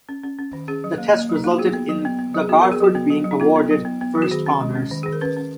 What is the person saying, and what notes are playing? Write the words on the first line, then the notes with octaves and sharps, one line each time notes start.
The test resulted in the Garford being awarded first honors.
C#4
C#4
C#4
D#3
C#4 G#4
F#3
A#3
A#3
F#3
D#4
A#3 F4
F#4
B3 G#4
B3
F#3
B3
B3
F#3
G#4
B3 F#4
A#4
B3
G#4
F#3 F#4
B3
F#3
F#3
D#4
B3 F4
B3
F#3
B3
B3
F#3
F#4
D#3 G#4
C#4
G#3
C#4
D#3
D#3 G#4
A#4
C#4 B4
C#4